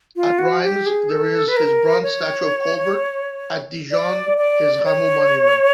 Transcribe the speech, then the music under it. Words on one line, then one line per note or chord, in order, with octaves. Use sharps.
At Reims there is his bronze statue of "Colbert", at Dijon his "Rameau" monument.
F4
F#4
G4
G#4
A4
B4
A#4
C#5
D5
D5
C#5